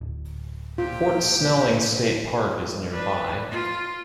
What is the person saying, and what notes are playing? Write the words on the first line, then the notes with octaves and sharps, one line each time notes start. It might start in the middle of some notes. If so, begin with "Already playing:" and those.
Fort Snelling State Park is nearby.
D1
A#2 F4 G4
D4 B4
F4